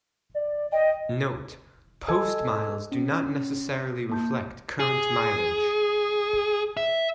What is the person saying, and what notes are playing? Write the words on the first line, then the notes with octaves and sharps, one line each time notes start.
Note: Postmiles do not necessarily reflect current mileage.
D5
D#5 G5
A4 D#5 G#5 A5 E6 G#6
C#4
A#3 A5 G6
G#4
E5